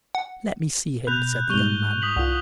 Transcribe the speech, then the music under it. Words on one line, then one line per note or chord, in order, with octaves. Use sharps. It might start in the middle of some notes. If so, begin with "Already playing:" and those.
"Let me see him," said the young man.
F#5
B2 B5 F#6 G6 F7
G#2 G3 C#6 F7 G7
D#6 B6 F#7
C2 F4 F#5